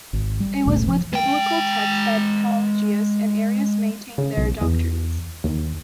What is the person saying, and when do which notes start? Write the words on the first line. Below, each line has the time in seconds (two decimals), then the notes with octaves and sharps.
It was with biblical texts that Pelagius and Arius maintained their doctrines.
0.13 G#1
0.40 G3
0.66 E1 B1 A2 C#3
0.87 F3
1.13 G#3 G5
4.18 C#3
4.37 B1
4.61 E2
5.44 D#2